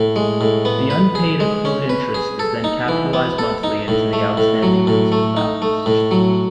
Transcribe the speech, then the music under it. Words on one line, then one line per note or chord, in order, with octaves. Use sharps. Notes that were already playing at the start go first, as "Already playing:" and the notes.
The unpaid accrued interest is then capitalized monthly into the outstanding principal balance.
Already playing: A2
G#3
A2
B3
B4
G#4
G#3
C#4
B4
G#4
A4
D#4
E3
B3
A4
D#4
A2
A3
A2
F#3
A2
A3
D#4
A3
A2
F#3